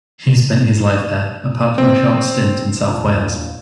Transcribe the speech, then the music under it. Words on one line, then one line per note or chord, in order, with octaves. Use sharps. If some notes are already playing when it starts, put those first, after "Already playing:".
He spent his life there, apart from a short stint in South Wales.
C4
D1 E2 A#2 D4